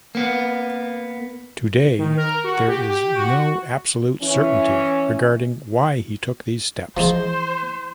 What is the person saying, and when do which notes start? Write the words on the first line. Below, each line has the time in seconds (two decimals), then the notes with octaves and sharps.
Today, there is no absolute certainty regarding why he took these steps.
0.15 A#3 B3
1.99 D#3
2.17 A#4
2.44 F#4
2.68 G4
2.89 G4
3.15 F#4
4.22 E3 C#4
6.97 E3 F3 G#3 C5